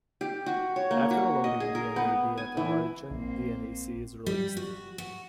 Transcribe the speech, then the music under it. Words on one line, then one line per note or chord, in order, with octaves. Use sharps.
After loading dnaB at the origin, dnaC is released.
G4
F#4
C#5
A#3
F#4
D#5
G#4
A#4
B3
G#5
E3
A#1 A#3 C4
G3
F#4
F#4